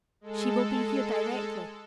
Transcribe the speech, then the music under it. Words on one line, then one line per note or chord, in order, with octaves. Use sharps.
"She will be here directly."
G#3 A4